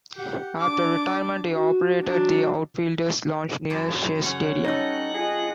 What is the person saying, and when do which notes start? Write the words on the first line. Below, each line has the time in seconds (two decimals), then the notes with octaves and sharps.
After retirement, he operated the Outfielder's Lounge near Shea Stadium.
0.14 G4 F#5
0.60 D4 D6
1.50 F#4
2.02 F#3 D4
3.70 F#2 D5 A5
4.23 C#3 C#4 F#5
4.64 G3 C#4 D#4 A4
5.15 F4 G#4 D#5